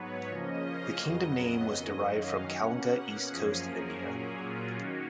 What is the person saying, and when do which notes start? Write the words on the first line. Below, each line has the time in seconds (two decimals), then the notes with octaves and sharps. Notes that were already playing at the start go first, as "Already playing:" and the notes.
The kingdom name was derived from Kalinga east coast of India.
Already playing: G#2 F#3 B3 B4 C#5
0.30 C#3 F3 A#3 C#4 D#5
0.67 F5
1.04 F2 C#3 F#3 B3 D#5
1.78 F#2 D#3 F#3 C#4
2.16 F5
2.54 B2 A#3 C#4 F#5
3.28 F#2 F3 A#3 C#4 G#4
3.65 A#4
4.02 A#2 F#3 A#3 C#4 G#4
4.40 F4
4.76 D#3 A#3 C#4 F#4